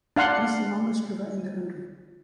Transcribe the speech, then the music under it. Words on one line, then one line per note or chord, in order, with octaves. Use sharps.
It is the longest river in the country.
D4 F5 F#5 C6